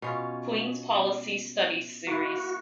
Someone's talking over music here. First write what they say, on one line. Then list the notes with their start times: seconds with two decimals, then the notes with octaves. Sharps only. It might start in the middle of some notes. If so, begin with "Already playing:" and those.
Queen's Policy Studies Series.
0.02 B2 C#4 F4
2.07 A#3 E4 F#4